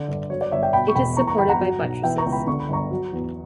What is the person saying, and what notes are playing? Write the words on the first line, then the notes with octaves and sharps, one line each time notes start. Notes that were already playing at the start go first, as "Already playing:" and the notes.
It is supported by buttresses.
Already playing: D3 D5
G1
F#3 C#5
D5
G1 C#5 E5
E5 G5
B2 G5 B5
C#6
E1 G5 B5
E3 A#5 C#6
A#5 C#6
G1 G5 B5
F#5 A#5
F#3
B1
E3 E5 G5
A#5 C#6
C#2
G5 B5
D3 C#6
B5
G1 A#5 C#6
F#3
E2